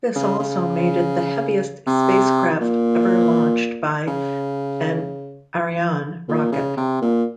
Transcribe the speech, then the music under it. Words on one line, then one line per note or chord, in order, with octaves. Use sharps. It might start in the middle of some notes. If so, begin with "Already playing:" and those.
This also made it the heaviest spacecraft ever launched by an Ariane rocket.
C#3
C#3
C3
A#2
C#3
A#2
C#3
C3
A#2